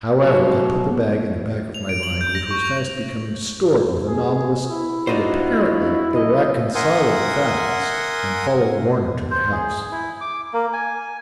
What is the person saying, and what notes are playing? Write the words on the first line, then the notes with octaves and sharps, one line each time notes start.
However, I put the bag in the back of my mind, which was fast becoming stored with anomalous and apparently irreconcilable facts, and followed Warner to the house.
B2 F#3
F7
D7
F#7
G6
A#6
C#6
F7
G#4
E4
D4 D#4 F4 F#4 C5
F#2 D#5
A#4 E5 F#5 G#5 C6 D#6
C5
G#4
E4
D6
A#3
G#5